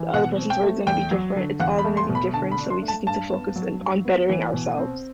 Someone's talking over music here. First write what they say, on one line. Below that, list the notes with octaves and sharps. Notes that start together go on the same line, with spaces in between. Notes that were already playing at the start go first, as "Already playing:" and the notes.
the other person's story is gonna be different, it's all gonna be different, so we just need to focus in on bettering ourselves.
Already playing: E3
B2 F#5
C4
G5
A3
E2 G5
F#3
D3
E2 F#5
B5
A3
C6
B2
B5
D3 A5
B5
D4
C6
A3
A5
G2 A5
B3
F#3
G2
B3
E3
B2
C4